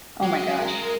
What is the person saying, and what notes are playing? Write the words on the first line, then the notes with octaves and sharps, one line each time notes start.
Oh my gosh.
F#3 G#3
A#4